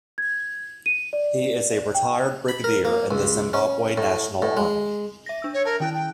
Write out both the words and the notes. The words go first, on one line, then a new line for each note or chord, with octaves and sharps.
He is a retired Brigadier in the Zimbabwe National Army.
G#6
D#7
D5
G5
B5
A#4
A#3
C#2
C#4
A2
A2
G#3
E5 A#6
D4 E6
C#5
A#4 A5
D#3 E4 G5 F#6
G5